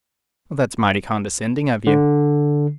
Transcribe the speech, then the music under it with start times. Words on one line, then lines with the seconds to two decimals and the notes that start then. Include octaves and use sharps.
"That's mighty condescending of you!"
1.87 D3